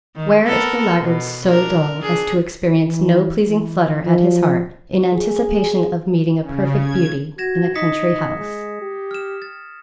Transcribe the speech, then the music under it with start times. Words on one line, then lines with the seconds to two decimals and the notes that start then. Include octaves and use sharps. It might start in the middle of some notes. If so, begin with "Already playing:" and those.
Where is the laggard so dull as to experience no pleasing flutter at his heart in anticipation of meeting a perfect beauty in a country house.
0.16 D#3
0.45 B3 A4 A#4
0.99 B2
1.46 D4 A#4
1.98 D4 G#4
2.86 E3
3.47 E3
4.03 F3
5.14 G#4
6.42 C#3
6.79 G#6
7.38 F#4 G#6 A#6 E7
7.75 D#4 D#6 B6 C#7
8.38 G#3
8.82 G4
9.11 F6 E7
9.42 A6